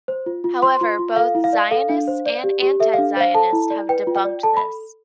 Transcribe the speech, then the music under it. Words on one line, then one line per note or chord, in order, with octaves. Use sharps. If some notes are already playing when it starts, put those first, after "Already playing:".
However, both Zionists and Anti-Zionists have debunked this.
C5
F4
F4
C5 C6
F4
F4
A4 F5
E4
F5
D5
A4 F5
D4
C5
D5
G4
G4
A4 E5
F5
D4
C5 F5
A4 A5
E4
D5
B4 G5
F4
G5
D5
A4 A5
B5